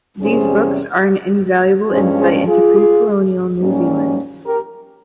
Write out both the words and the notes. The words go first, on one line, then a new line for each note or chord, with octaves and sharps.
These books are an invaluable insight into pre-colonial New Zealand.
E2 C3 G3 C#4 G#4 C5
G2 F3 G#3 C#4 G#4 C5
G#4 C5
F4 G#4
G#2 G3 A#3 C#4
G4 A#4